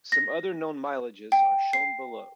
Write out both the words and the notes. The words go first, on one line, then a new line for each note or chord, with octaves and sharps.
Some other known mileages are shown below.
A#6
G5
C7